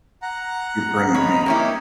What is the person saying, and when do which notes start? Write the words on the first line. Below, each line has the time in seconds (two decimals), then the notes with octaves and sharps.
your brain, right?
0.22 F#5 A#5
1.15 D#4 C#5 A#5 B5
1.46 A#3 C#4 D#4 E4 G4 C#5